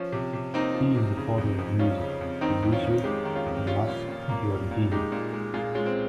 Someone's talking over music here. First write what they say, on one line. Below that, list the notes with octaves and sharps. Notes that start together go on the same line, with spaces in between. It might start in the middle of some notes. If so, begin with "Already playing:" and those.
He is the father of music producer Mass Giorgini.
Already playing: F3 C#4
C3
C3
A#3 C4 D#4
F3
C3
C#3
F2
F2
G3 C#4 F4
C#3
F2
D#3 C4 D#4
F2
C#4 F4
F2
G#3 D#4 G4
D#3
C#4 F4
F2
G3 C#4 F4
A#2
A#2
A#3
G3
A#2
G#3 D#4 G4
A#2
G#3
A#2 F4 G#4
G#3 C#4 F4
C4